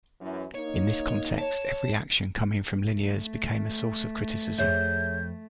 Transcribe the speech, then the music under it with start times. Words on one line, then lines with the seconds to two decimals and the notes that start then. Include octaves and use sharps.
In this context, every action coming from Liniers became a source of criticism.
0.20 F#2 E3
0.54 A#3 D#4 C#5
1.38 C#5 A5
2.93 A3
4.58 F2 G#4 C#5 E5 G6